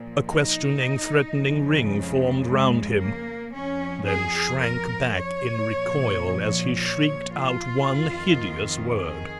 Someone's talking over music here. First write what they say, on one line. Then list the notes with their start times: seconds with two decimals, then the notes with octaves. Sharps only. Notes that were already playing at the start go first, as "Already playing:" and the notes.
A questioning, threatening ring formed round him, then shrank back in recoil as he shrieked out one hideous word.
Already playing: A#2 F3
0.27 D#4
1.35 F2 C#3 F3
1.89 G#3
2.44 G#3
2.99 A#3
3.53 F2 F3 C#4
4.07 G#4
4.62 A#4
5.17 C#5
5.72 A#2 F3
6.80 C#5
7.35 F4
7.88 F2 D#3
8.98 G#4